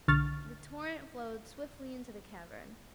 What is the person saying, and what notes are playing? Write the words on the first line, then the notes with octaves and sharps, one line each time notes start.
The torrent flowed swiftly into the cavern.
B1 D3 C#6 F6 A6